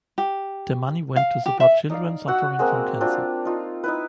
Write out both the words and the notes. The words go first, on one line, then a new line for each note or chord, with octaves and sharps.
The money went to support children suffering from cancer.
G4
F5
G4
E5
D#4 D5 F5
F#4 F#5 E6
G#3 A#3 C4
C4 D4 F4
D#4 F4
D#4 E4 B4